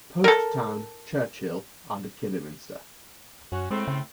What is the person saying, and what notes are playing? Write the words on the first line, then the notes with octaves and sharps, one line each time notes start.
Post Town, Churchill, under Kidderminster.
A4 A#4
F#2 C#4 F#4
A2 G#3 A3 C4
C#3